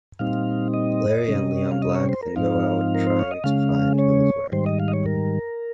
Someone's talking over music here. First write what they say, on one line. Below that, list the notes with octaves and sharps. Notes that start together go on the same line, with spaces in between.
Larry and Leon Black then go out trying to find who is wearing it.
A#2 G3 C4 D#4 F5
D#5
C3 G3 C#4
F5
D#5
C#5
C5
A#4
G#2 F3 C4 D#4 F5
A#4
C5
C#5
D#5
C#3 G#3 C#4 F5
C#5
G#2 D#3 G3 C5
D#5
F5
D#5
C#5
A#4